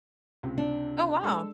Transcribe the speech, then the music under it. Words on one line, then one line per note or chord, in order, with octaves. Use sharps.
Oh, wow.
C#2 C3
D4
G#3 A4 E6